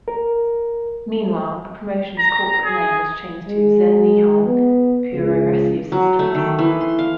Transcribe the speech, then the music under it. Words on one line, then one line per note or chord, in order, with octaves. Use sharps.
Meanwhile, the promotion's corporate name was changed to "Zen Nihon Puroresu Systems".
A#4
A#5
G#4
G#3
B3
C#2
F#3
A3
D#3
E3
C6
F5